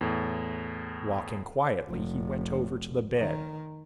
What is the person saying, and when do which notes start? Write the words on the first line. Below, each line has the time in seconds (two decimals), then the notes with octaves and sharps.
Walking quietly, he went over to the bed.
0.01 E2 A2
1.89 F1
3.17 D#3